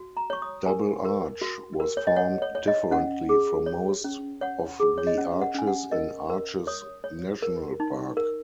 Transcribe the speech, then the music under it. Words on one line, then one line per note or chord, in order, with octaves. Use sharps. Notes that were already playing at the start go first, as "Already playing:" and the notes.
Double Arch was formed differently from most of the arches in Arches National Park.
Already playing: F#4
A#5
C#5 C#6
D#6
A#4 G#5
A#4
F#4
A#4
C#5
D#5
C#5 F#5
C#5
C#5
D#5
C#4 F#5
G#4
C#5
C#4
C#5 F#5
G#4
C#5
D#5
C#4 F#5
F#5
C#4 G#5
F#5
A#4 D#5
A#4
C#5 D#6
C#5
A#4
D#4
A#4